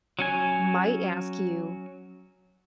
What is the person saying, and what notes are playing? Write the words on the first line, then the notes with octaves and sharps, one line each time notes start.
might ask you
F#3 C#4 G#5